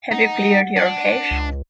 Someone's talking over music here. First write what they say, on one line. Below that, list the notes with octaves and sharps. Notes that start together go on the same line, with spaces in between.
Have you cleared your cache?
D#4 F#5
D4
C#2